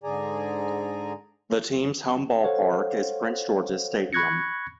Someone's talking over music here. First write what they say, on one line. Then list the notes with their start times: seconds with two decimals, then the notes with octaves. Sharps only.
The team's home ballpark is Prince George's Stadium.
0.04 G#2 D3 G#4 D5 G#5 A#5
2.43 A4 C5 C#5 F5 F#5
4.13 B5 C#6 F#6 G#6 A#6 C#7